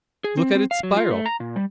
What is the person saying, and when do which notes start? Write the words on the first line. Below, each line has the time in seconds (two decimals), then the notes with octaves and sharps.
"Look at its spiral!"
0.24 G#4
0.37 C4
0.55 C4
0.71 F5
0.83 F#3
0.97 F4
1.11 A3
1.26 A#5
1.40 A#2
1.56 G3